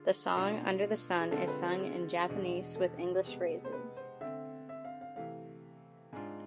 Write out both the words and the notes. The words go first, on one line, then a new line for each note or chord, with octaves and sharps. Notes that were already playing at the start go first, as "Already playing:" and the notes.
The song "Under the Sun" is sung in Japanese with English phrases.
Already playing: D3 D4 F4 G#4
B2 A3 D4 F4 A4
G#4
D3 G#3 C4 F4 A4
B4
C5
G#4
E2 B2 G#3 D4
A4
C3 G#3 B3
C5
B4
C5
D3 A3 C4 E5
E5
F5
F5
C3 E3 A3 F5
G#2 G#3 D4 F4 G#5